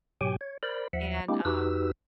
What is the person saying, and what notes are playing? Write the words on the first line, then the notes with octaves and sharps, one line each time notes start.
And, um,
G#2 B2 F#3 G4 G5 G#5
C#5
A#4 C5 D5 B5
D#2 F3 E5 F#5
G#3 A#3 C4 D4 E4 G4
F2 D#4 F#4 G4 B4 E6